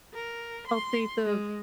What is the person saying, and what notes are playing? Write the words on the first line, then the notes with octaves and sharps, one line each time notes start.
update the
A#4
C6
G#3